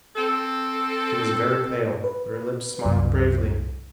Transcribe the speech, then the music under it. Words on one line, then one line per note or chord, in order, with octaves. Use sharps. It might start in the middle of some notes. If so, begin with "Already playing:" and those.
She was very pale but her lips smiled bravely.
C4 A4
B4
C2 F#2